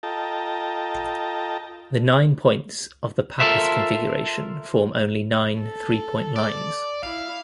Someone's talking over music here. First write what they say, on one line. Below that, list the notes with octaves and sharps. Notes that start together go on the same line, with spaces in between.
The nine points of the Pappus configuration form only nine three-point lines.
F4 A4 D#5 G5 A5 A#5
F4 A4 A#4 C5 E5
A4
D5
E4 F5